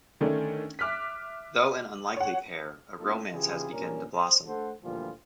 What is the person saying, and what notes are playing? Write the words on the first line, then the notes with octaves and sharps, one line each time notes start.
Though an unlikely pair, a romance has begun to blossom.
D3 D#3 A3 C#4 D4
E5 D6 F6 F#6 B6
C#5 F#5
A#3 C#4 D#4 F4 A4
C#3 E3 E4 F4 G4 G#4
A#2 G3 C#4 D4 A#4
C5
A3 D4 A4 C5 F#5
D2 A#2 E3 F3 G3 F4